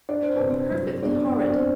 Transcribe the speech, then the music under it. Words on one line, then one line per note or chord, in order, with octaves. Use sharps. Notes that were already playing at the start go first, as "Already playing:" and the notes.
How perfectly horrid!
D4 D5
C5
C3 B4
C4 C5
F#3
B3 D4 D5
D4
D5
C4 C5